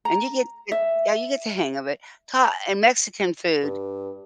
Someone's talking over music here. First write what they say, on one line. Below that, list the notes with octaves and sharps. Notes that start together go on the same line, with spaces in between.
And you get eh yeah, you get the hang of it. Ha and Mexican food,
A#5
E5
G2